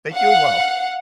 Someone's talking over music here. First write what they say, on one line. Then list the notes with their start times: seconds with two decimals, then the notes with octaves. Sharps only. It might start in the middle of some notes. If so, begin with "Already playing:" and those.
Thank you as well.
0.14 F5 F#5